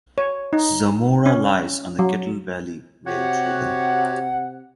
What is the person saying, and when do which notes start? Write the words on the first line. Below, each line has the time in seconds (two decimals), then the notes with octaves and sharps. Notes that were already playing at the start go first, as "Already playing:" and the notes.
Zamora lies on the Kettle Valley Rail Trail.
0.18 C#5
0.53 D#4
1.26 C#4
1.99 F#3
3.06 C3 F#4 G4 C#5 F#5